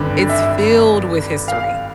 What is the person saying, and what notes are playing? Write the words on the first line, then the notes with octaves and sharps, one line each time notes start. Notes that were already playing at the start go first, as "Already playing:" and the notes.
it's filled with history.
Already playing: G#1 G2 D3
E5
F5